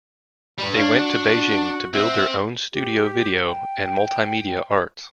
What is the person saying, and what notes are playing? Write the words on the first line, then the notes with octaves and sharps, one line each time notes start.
They went to Beijing to build their own Studio Video and Multimedia Arts.
G3 B4 B5
D4 C#5 F5
F#4 F#5
C4 E5 F#5
G4
G5